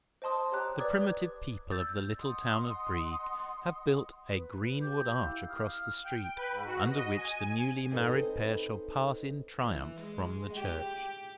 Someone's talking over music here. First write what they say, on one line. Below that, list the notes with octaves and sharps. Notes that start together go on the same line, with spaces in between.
The primitive people of the little town of Brieg have built a greenwood arch across the street, under which the newly married pair shall pass in triumph from the church.
C5 D#5 A5 C6 D#6
G4 C#5 G5 A#5 D6 F#6
B4 D5 D6 D#6 G#6
E6 G6 A6
D#5 F#5 C6 D#6
B4
G4 D6 G6
E4 F5
F5 D#6 F6
G5
B4
G#2
F#4
D#5
G#5
C4 D#4 A4 B4 C5
E3
G#3
G4